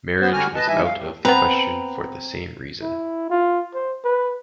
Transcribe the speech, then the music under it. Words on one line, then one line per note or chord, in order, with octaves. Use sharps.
Marriage was out of the question for the same reason.
B3 C5
D3 G3 F#4 G#5 F6
B4 D#5 A5
D2 G#2 E3 G3 E5 G#5
F5
A2 G3
B3 C4 B4 A#5
E4
F4
C5
B4